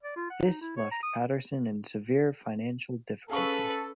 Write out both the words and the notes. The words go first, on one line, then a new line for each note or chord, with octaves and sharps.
This left Patterson in severe financial difficulty.
D5
F4
F#5
D#4
E4
C#5
A#5
D#6
C#4 G#4 A4 B4 F5 C#6